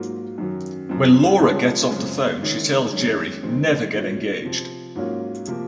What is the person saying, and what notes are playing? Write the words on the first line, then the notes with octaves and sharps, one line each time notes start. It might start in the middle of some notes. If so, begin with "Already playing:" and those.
When Laura gets off the phone she tells Jerry: Never get engaged.
Already playing: G#2 F#3 A#3 F4
F#2 D#3 F#3
F#2 F3 C4
C#3 F3 G#3 C#4
F#2 C#3 G#3 C4 F4
D#3 G#3 C#4
F#2 D#3 G#3 C#4
F2 D#3 G#3 C4
A#2 F#3 C#4 F4
C3 F3 C4
G#2 F#3 A#3 C#4 F4
C3 F3 A#3